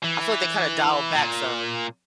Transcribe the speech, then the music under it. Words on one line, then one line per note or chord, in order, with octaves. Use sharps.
I feel like they kinda dialed back some.
E3
A#2